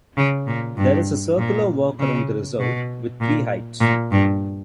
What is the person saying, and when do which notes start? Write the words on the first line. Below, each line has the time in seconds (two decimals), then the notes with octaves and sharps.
There is a circular walk around the reserve, with three hides.
0.17 C#3
0.47 A#2
0.77 G2
1.38 A#2
1.99 C#3
2.59 B2
3.21 A#2
3.80 A#2
4.11 G2